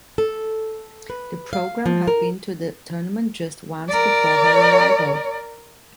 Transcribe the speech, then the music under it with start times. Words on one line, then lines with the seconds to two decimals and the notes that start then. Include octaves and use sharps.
The program had been to the tournament just once before her arrival.
0.18 A4
1.10 B4
1.53 F5
1.86 F3
2.08 A#4
3.88 A#4 D5